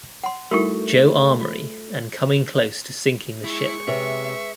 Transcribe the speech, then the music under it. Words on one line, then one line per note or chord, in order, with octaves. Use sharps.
Joe armory and coming close to sinking the ship.
F#5 C6
G3 A3 D#4 E4 F#4 A#4 C#6
F4
G#3 E4 C#6
C3 B4 C#5 E5